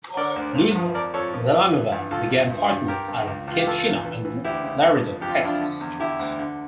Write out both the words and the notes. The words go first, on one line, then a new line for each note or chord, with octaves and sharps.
Luis Villanueva began fighting as "Kid Chino" in Laredo, Texas.
D3 A#4 D5
D2
G2
F3
F2 A#4 D5
F2 A4 C#5
F3
F2
E3
G2
C#2 F4 A4
C#2
G2
G2
G2 G4 A#4
G2
C#2
C#2 F4
G4
E3 F4 A4
E2
E3
E3
D2 E4 G4
C#3
F2
C#3
F2 G4
F4
E4
F2 D4 F4
D3
E2
D3 E4 G4
D2
D3